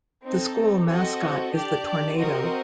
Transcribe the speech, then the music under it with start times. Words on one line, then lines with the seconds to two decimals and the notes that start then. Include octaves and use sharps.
The school mascot is the Tornado.
0.25 C4 D#4 A4
0.89 C4 F#4 A4 D#5
1.53 D4 G4 D5
2.18 C4 F#4 A#4 D#5